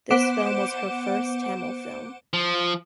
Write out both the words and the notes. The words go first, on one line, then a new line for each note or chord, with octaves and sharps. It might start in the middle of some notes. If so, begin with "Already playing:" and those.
This film was her first Tamil film.
B3 C5 F#5 D6 D7 E7
F3